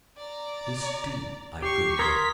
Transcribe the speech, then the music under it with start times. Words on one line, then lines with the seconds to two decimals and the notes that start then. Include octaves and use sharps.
This, too, I could hear.
0.17 D5 A#5
1.62 G4 C#6 C7
1.99 A#4 C6 D#6 G#6 B6 C7